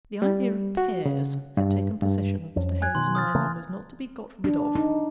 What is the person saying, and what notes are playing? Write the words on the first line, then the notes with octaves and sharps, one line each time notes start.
But the idea of pears had taken possession of Mr. Hale's mind, and was not to be got rid of.
G3
F#4
C#3
G2
G2
F2 C#4
G#5 F#6 G#6
B2 D#3 C6
D#6 F6 A6
C#3 A3 A#3
D4
D#4